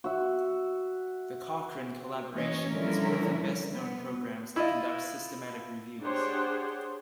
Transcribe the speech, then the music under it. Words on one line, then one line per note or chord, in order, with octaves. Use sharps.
The Cochrane Collaboration is one of the best-known programs that conducts systematic reviews.
F#4 E5
E3 A#3 C#4 C#5 D#5
D3 F3 G3 C#4 E4 A#4
B3
E4 F4 D#5
D4 G4 G#4 C5 C#5 F#5